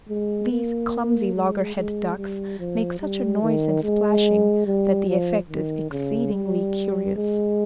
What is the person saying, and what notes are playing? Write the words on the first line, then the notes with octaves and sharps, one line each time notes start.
These clumsy, loggerheaded ducks make such a noise and splashing, that the effect is exceedingly curious.
G#3
A#3
G#3
G#3
G3
F3
G3
D#3
G#3
G3
F3
D#3
C#3
G3
G#3